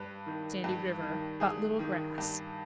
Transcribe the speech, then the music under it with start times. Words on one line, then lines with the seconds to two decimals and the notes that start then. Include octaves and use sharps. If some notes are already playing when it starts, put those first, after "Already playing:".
Sandy River.--But little grass.
Already playing: G2 B4
0.26 D#3
0.64 G2
1.02 D#3
1.40 G2 G#4
1.79 D#3
2.18 G2